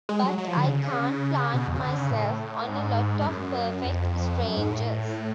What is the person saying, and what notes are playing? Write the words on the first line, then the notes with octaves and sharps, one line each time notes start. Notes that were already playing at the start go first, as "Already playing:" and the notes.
But I can't plant myself on a lot of perfect strangers.
G#3
F#3
F#3
F3
D3
C#3
B2
F2
C#3
D3
C#3
A2
G#2
G#2
F#2
F2
F#2
G#2
A2